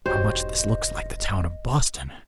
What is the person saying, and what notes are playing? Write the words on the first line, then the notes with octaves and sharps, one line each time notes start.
How much this looks like the town of Boston!
E1 G#2 F#4 G4 C5 C#5 D#5